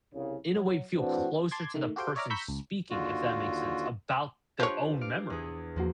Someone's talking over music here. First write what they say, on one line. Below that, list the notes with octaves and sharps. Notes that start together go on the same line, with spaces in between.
in a way, feel closer to the person speaking, if that makes sense, about their own memory.
C2 C#3
F#3
A2 E3 C4 D4 F#4
A5 C6 D6 G#6
D#3 A3
F#4 G4 A4 C5 F5 G5
C#5 D5 E5 A#5 D6 F6
A#5 B5 C#6 E6 G6 B6
C#2
D#2 D3 F4 F#4
F3 D4 G4 B4 C#5
F5 D6 D7
E2 G#4
E2 F3 A#3 F#4